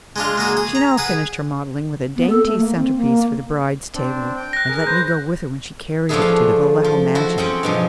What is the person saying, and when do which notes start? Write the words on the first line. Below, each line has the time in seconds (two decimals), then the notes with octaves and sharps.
She now finished her modelling with a dainty centrepiece for the bride's table, and let me go with her when she carried it to the Vallejo mansion.
0.16 G#3 D4 F4
0.37 G#3 A#3 F#4 G#4
0.57 G#4
0.75 A#5
0.98 G#4 B4 F#5
2.16 B3
2.29 A4
2.46 A3
2.58 A#3
2.76 C4
2.96 A#3
3.94 C4 D4
4.36 G5
4.53 F#6 A#6
4.69 G#4 A#4
4.87 B4 C5 G6
6.09 F3 A3 B3 D4 E4 G#4
6.22 F5
6.84 F3
7.15 F3 E4 F#4
7.38 C4 C#4 G#4 F#5 G5
7.63 G2 B2 F3